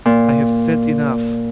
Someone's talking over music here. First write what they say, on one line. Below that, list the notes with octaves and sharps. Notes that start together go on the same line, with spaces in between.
I have said enough.
A#2